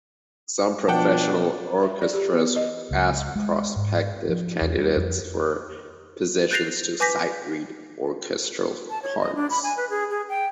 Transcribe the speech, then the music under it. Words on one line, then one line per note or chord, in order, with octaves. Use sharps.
Some professional orchestras ask prospective candidates for positions to sight-read orchestral parts.
B2 F3 D4 F#5 G5 A5
E5
D5
G4
B3
D#5
C#2
G#3
G#2
F3
E2
G3
F2
F#6 G6 A6 A#6 C7 F7
B4 G#5 D6 G6 A#6 B6
A5
C#5
D#5
D4
B5
G#5
B4
G#4
G#4
G5